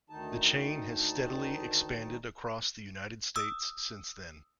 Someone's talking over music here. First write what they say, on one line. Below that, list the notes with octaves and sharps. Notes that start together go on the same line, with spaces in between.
The chain has steadily expanded across the United States since then.
D2 D#3 D#4 A5
D#6 E6